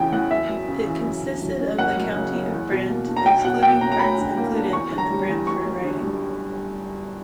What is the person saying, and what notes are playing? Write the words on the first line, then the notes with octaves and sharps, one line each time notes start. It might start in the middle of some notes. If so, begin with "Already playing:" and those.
It consisted of the County of Brant, excluding parts included in the Brantford riding.
Already playing: E2 C#3 E3 G5
E2 F#5
F#1 E5
F#2
C#3
E3
F#2
D3
F#3
C#4
F#1 F#5
F#2
C#3
F#3
E2
B2
A#3
D4
A#5
B1 G5
B2 F#5
A#3 G5
C#4 A#5
A#5
D2 B5
D3
A#3
D4
E2 C#6
D3
A#5
G3
E2
G1 C#6
F#2
D3
G3